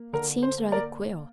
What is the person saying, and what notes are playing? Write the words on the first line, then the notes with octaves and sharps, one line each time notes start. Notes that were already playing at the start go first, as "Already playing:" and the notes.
"It seems rather queer."
Already playing: A#3
D3 A#4
C5
A#3
A#4 D5